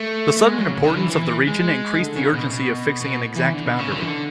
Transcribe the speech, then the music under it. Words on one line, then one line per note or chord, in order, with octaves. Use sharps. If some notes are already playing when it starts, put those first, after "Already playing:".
The sudden importance of the region increased the urgency of fixing an exact boundary.
Already playing: A3
A3
G#3
F#3
C#3
D3
E3
E3
E3
G#3
D3
C#3
B2
B2
B2
E3
D3
B2
C#3
D3
E3
D3